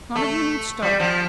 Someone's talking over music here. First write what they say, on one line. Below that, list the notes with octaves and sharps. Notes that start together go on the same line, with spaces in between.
None of you need stir.
A3
G3
F3